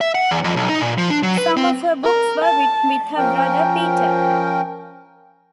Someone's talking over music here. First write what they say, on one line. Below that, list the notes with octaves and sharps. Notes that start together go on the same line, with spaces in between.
Some of her books were written with her brother Peter.
E5
F#5
E2
F2
B1
D#4
A#2
F3
D4
F#3
B4
C4
A#4
A5
F3 C#4 A#4 G5